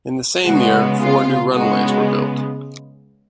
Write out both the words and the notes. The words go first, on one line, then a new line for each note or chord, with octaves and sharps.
In the same year, four new runways were built.
C#3 G#3 B3 F#4
F4
C#3 G#3 B3 F#4